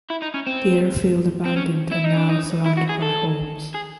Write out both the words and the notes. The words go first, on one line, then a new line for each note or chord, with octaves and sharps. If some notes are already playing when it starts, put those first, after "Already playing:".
The airfield abandoned and now surrounded by homes.
E4
D#4
C#4
C4
C4
C#4
E4
D#4
D4
D#4
E4
F#4
G#4
A4
G#4